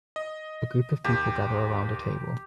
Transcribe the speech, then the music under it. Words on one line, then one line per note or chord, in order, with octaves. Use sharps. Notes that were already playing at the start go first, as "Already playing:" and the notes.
A group of people gather around a table.
D#5
D#2 G4